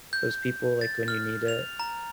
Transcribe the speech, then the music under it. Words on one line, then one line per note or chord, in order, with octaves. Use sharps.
those people, like, when you need it.
G6
A6
F6
F7
A#5